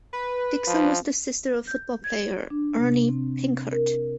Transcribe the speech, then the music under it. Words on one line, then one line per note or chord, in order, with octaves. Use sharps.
Dixon was the sister of football player Erny Pinckert.
B4
F3
G6
G#6
D4
C3
C4
A#4